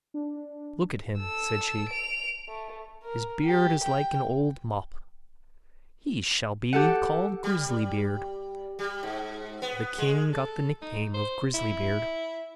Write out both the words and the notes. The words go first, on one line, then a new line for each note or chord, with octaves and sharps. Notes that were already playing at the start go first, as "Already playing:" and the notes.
'Look at him,' said she; 'his beard is like an old mop; he shall be called Grisly-beard.' So the king got the nickname of Grisly-beard.
D4
A4 E6
D7 F7
A3
A#4
G4
G5
G4 A4 F#5
G3
G3
G#2
B3
G#3
A4
D#4
C5
E4